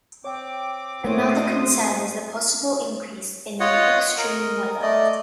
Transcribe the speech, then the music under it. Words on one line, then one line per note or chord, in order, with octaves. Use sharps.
Another concern is a possible increase in extreme weather.
C4 C#5 G5 D6
A3 A#3 E4 F#4 C5 C#5 D#6
F4 C#5 D#5 F#5
A#4 D#5
A3 D5 D#5